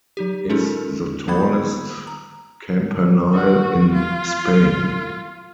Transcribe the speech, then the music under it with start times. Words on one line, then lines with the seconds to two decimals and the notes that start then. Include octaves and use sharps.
Is the tallest campanile in Spain.
0.17 F#3 D#4 G4
0.49 G#3 C#4 D#4 F4 A4 A#4
1.28 G3 A#3 B3 F4 B5 G#6
2.07 A#5
3.33 F#4
3.93 F4